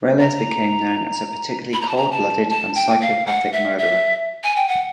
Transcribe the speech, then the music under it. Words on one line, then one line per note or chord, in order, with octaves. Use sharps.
Reles became known as a particularly cold-blooded and psychopathic murderer.
A#5
B5
A#5
A5
A#5
A5
A5
G5
F5
F#5
E5
E5
G#5
G5
F#5